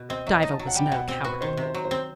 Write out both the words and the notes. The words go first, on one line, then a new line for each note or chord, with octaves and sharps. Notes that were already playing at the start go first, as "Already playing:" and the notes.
Diva was no coward.
Already playing: B2
C4 D#5
F#3 E5
D#5
D#4
A5
F#3
F#5
G3 G5
G5
B2 F#5
C4 G5
F#4 B4
D#3 C5
C3
C5
F#3
C5
C4